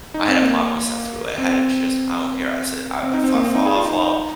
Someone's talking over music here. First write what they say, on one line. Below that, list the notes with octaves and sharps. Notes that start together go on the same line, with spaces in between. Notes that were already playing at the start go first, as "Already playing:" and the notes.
I had to plow myself through it. I had to just, I don't care, I said, uh, "If I fall, I fall.
D#4
C4
A#3
C4
C4
D#4
C4
A#3
C4
D#4
G#4
F4
D#4